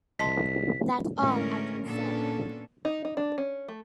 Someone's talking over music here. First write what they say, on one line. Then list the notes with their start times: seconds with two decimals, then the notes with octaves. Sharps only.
'That's all I can say.
0.19 C2 D#5 A5 C6 B6
1.18 A2 D3 E3 G#3 C#4 A#4
1.85 A#2 B3 C#4 D4 A4
2.85 D#4
3.05 D#4
3.17 D4
3.38 C#4
3.68 A3